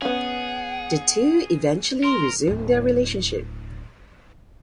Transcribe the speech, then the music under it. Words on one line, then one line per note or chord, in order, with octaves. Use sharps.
The two eventually resumed their relationship.
B3 C#4 G#4 F#5
A#4 C6
D1 D3